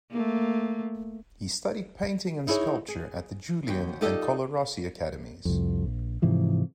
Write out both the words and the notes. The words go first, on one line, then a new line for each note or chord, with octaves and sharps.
He studied painting and sculpture at the Julian and Colarossi Academies.
A3 A#3
D#4 E4 G#4 C#5
G#4
D#2 F#4 G5
D#4 F4 G4 A4 D5 D#5
C2 F2
A#1
G#2 C3 E3 F3